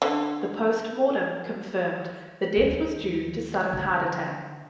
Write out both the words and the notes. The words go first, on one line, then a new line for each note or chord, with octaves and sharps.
The postmortem confirmed the death was due to sudden heart attack.
D3
D#2
D3